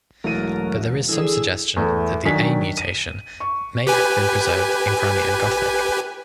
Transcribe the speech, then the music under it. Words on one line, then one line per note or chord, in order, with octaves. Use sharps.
But there is some suggestion that "a"-mutation may have been preserved in Crimean Gothic.
E1 F#3 A3 E4 A#4 D#7
D3 E3 G#4 E6
E2 A3
D#3 F#3 D4 G#5 B6
D#7
C#6
G4 B4 G#5